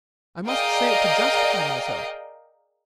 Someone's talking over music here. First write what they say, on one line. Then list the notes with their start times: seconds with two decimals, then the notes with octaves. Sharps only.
I must say it to justify myself.
0.46 G#4 A#4 D5 D#5 F5 G5